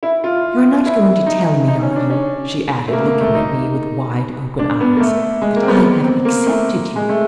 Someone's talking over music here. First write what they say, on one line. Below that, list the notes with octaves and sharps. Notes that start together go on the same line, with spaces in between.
"You are not going to tell me, are you," she added, looking at me with wide-open eyes, "that I have accepted you?"
E4
F4
E4
D#4
D#4
C#4
D4
C#4
A3
A#3
A#3
A3
D#4
D4
B3
A#3
A3
G#3
A#3
C4
B3
B3
C4
A#3
A3
G#3
A3